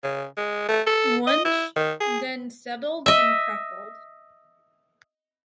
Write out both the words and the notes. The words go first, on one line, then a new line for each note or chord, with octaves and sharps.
Wunsch then settled in Krefeld.
C#3
G#3
A3
A4
D#5
E4
D#3
G#4
D#5 E5